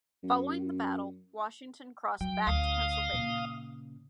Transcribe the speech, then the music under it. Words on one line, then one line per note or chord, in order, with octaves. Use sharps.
Following the battle, Washington crossed back to Pennsylvania.
F#2
F#3 G5
D2 F5 D#6
A#2 C#3